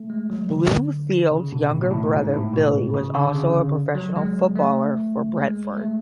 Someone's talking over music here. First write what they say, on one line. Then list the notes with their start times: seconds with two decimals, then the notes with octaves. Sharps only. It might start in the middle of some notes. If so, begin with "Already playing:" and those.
Bloomfield's younger brother Billy was also a professional footballer for Brentford.
Already playing: A3
0.10 G#3
0.30 F#3
0.50 D3
1.31 C#3
1.52 B2
1.72 A2
1.82 B2
1.91 A2
2.13 G#2
2.33 A2
2.53 B2
2.94 C#3
3.14 D3
3.35 C#3
3.95 F#3
4.16 G#3
4.56 A3
5.37 G#3
5.78 A3